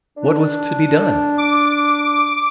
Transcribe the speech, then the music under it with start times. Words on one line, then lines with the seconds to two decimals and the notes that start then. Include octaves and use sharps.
What was to be done?
0.18 D4
1.38 D6